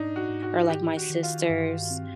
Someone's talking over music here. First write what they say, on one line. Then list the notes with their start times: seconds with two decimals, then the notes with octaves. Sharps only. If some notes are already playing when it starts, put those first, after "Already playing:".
or, like, my sisters
Already playing: G#2 D4 D#4
0.16 F#4
0.29 G#2
0.43 F#4
0.69 D#3 G4
0.97 F#4
1.10 D#3
1.23 F4
1.50 G2
1.91 C4